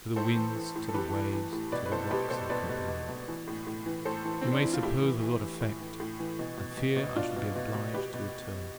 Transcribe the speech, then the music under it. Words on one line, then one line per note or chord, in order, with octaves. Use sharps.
"To the winds, to the waves, to the rocks I complain"--you may suppose with what effect! I fear I shall be obliged to return.
A2 A4 C5
E3
E3
A2
A4
E3 G4 B4
E3
E3
A2
B2 B4 D5
B4
B2 A4 C5
B2 G4 B4
B2 A4 C5
B2 B4 D5
B2
B2
B2
E3
A2
A2
E3
A2 A4 C5
E3
E3 C4
D4
E3 E4
F4
A2 E4 G4
E3
E3
E3
A2
E3
A2
E3
B2
B2
B2
B2
B2 D4 F4
B2
B2
B2
B2 G4 B4
B2